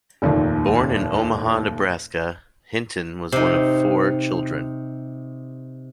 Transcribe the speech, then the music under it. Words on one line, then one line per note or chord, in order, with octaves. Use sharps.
Born in Omaha, Nebraska, Hinton was one of four children.
F1 D#2 A#2 D#3
C3 D#4